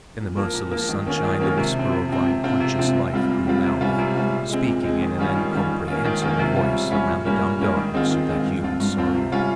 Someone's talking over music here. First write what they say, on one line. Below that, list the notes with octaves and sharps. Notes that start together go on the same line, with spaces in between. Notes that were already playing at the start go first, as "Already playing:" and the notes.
In the merciless sunshine the whisper of unconscious life grew louder, speaking in an incomprehensible voice round the dumb darkness of that human sorrow.
A#2
F3 A#3
A#2
F3 A#3
D#3
A#3 C#4 F4
D#3
A#3 C#4 F4
C3
F3 C4
C3
F3 C4
C3
F3 C4 F4
C3
F3 C4 F4
A#2
G3 C4 F4
A#2
G3 C4 F4
C3
G3 C#4 F4
C3
G3 C#4 F4
A#2
G#3 C4
A#2
G#3 C4
D#3
G3 C#4 F4
D#3
G3 C#4 F4
D#3
A#3 C#4 F4
D#3
A#3 C#4 F4
C3
G3 C#4 F4
C3
G3 C#4 F4
A#2
G3 A#3 C#4
A#2
G3 A#3 C#4
D#3
G#3 C4 F4
D#3
G#3 C4 F4
G2
F3 C4 F4
G2
F3 C4 F4
C3
G3 C#4 F4